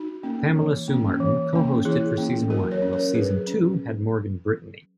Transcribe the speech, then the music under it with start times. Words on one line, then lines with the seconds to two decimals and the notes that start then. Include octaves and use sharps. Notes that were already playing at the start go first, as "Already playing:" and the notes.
Pamela Sue Martin co-hosted for Season One, while Season Two had Morgan Brittany.
Already playing: D#4 F#4
0.23 A#3 C#4
0.56 E3
0.88 A#3 C#4
1.20 E3
1.53 A#3 C#4
1.85 E3 E4 G#4
2.18 A#3 C#4
2.50 F#3 F#4 A#4
2.71 A#4 C#5
2.82 C#4
2.93 A#4 C#5
3.15 F#3 G#4 B4
3.47 C#4